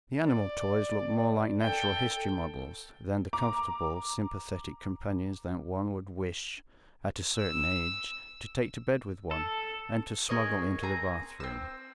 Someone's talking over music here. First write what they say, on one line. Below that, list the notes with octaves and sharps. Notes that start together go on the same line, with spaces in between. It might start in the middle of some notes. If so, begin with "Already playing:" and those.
The animal toys looked more like natural history models than the comfortable, sympathetic companions that one would wish, at a certain age, to take to bed with one, and to smuggle into the bath-room.
D5
A4 G5
A#5 D6
E6 E7
A4
G#4 A#4 C#5 D#5
C4 G#5 A#5
C4 E6